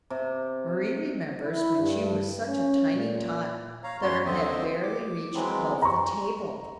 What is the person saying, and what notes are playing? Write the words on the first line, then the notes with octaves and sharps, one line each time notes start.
Mari remembers when she was such a tiny tot that her head barely reached above the table.
C3
E4
G2
C#4
A#2
C#5 F5 A#5
F#2 B3 F#4 C#5 C6
D#2 D3 C4 C5 D#5 E5
D6
E3 F#3 G#3 B3 C4
A#5 C#6